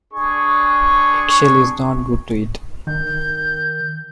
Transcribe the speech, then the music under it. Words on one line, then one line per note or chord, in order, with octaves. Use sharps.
Eggshell is not good to eat.
D4 G#4 C#6
D#3 G6